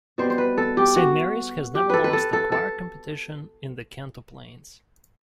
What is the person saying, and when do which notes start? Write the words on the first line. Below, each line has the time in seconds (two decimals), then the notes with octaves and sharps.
Saint Mary's has never lost a choir competition in the Kanto Plains.
0.18 B2 G3 C5
0.30 C5
0.38 B4
0.58 A4
0.77 G4
0.96 F#4
1.75 G4
1.90 A4 B4
2.04 B4
2.13 A4
2.33 A4
2.52 A4